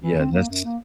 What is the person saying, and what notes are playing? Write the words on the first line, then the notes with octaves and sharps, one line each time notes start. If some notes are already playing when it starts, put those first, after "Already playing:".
Yeah, that's
E3
C4
A#3
F#2
A#3